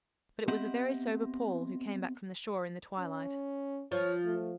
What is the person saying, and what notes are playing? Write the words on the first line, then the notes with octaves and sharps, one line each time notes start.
But it was a very sober Paul who came back from the shore in the twilight.
B3 C4 G4 D#5 E5 F#5
C#4
F3 C#5
A3